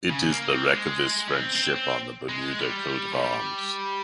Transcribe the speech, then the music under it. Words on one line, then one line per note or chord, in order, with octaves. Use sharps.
It is the wreck of this French ship on the Bermuda coat of arms.
C#3
A#3
C4
A#3
G#3
C#4
C4
C4
C4
G#3
G3
F3
G3